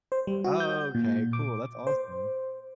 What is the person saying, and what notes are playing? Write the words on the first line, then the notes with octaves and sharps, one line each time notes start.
Oh, okay, cool. That's awesome.
C5
G3
F#4
G6
A#2
D6
C5